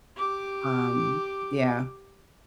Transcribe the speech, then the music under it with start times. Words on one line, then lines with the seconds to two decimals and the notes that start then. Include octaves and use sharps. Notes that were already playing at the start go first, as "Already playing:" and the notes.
um, yeah.
0.16 G4 D6